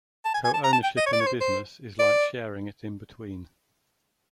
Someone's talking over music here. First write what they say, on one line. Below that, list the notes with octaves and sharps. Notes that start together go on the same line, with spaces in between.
Co-ownership in a business is like sharing it in between.
A5
G#5
G#5
A5
A#5
A5
G5
D#5
C#5
D5
C#5
C5
C5
D5